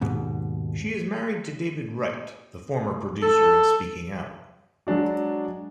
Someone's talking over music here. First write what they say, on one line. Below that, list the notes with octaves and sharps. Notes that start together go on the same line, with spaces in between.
She is married to David Wright the former producer of Speaking Out.
D#2 G#2 B2
A4
F#3 G#3 D4 F#4